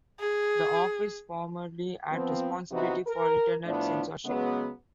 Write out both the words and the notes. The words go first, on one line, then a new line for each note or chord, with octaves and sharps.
The office formerly at responsibility for Internet censorship.
G#4
F3 B3 C4
C3 E3 F3 B3 D#4 F#4
A#4
A2 F3 A3 B3 D4
C#3 F#3 G#3 B3